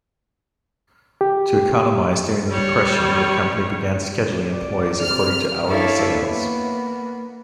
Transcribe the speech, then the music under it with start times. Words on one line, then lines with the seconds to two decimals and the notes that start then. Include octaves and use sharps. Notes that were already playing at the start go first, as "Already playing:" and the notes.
To economize during the Depression, the company began scheduling employees according to hourly sales.
1.21 G4
2.50 G3 C#5
4.53 D5
5.01 C3 F6
5.67 D4 E4 A4 C#5 E5 F5
6.18 A#3 B3